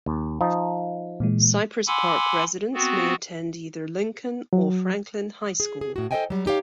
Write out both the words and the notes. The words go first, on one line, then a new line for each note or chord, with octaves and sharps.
Cypress Park residents may attend either Lincoln or Franklin high school.
D#2
F3 D#4
A#2 E3 G#3
F#5 G#5 B5 C6 D6 E6
B3 C4 F#4
F#3
G#4
G#4
A2 F#4
A4 C5 D5 D#5 G5 G#5
F#3 G3
D#4 G4 C#5 F5